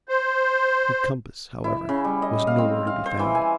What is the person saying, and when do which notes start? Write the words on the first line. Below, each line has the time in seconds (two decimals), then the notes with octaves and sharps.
The compass, however, was nowhere to be found.
0.09 C5
1.64 E4
1.89 C#3
2.05 G3
2.22 D#5
2.47 F5
2.58 C4
2.87 F5
3.06 C5
3.19 E3
3.35 G#5